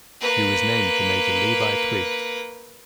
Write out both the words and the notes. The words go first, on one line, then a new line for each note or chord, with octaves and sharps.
She was named for Major Levi Twiggs.
A#3 B4